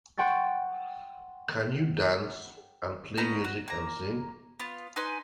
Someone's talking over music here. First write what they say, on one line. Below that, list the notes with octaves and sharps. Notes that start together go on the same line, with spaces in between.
Can you dance, and play music, and sing?
F#5 G5 C6 C#6 A6
B3 C#4 D#4 A#5
F#4
A#3 A#5
B3 F4
D#4 B4 G#5 C6